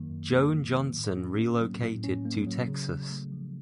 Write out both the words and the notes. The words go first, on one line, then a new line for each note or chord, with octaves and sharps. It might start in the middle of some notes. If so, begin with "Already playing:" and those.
Joan Johnson relocated to Texas.
Already playing: F#2 D#3 F#3 A#3
F#2
A#3
F#3
D#3
A2
C#4
A#3
F#3
A2
C#4
A#3
F#3
C#3
C#3
A3
F3